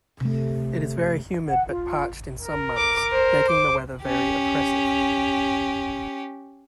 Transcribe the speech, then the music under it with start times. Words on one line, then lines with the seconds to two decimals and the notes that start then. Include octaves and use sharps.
It is very humid but parched in some months, making the weather very oppressive.
0.21 C3 A3
1.48 F#5
1.69 F4
2.40 A#4
2.77 D6
3.13 C5
3.48 D6
4.03 C#4 G4